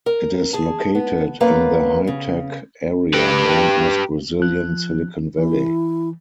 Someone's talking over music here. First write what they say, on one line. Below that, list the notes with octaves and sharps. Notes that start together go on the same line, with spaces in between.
It is located in the high tech area known as Brazilian Silicon Valley.
A#4
G#4 A5
B3
F#2 A#3 B3 B4 F5
C#3
G4 B4
F3 F#6
E3 E4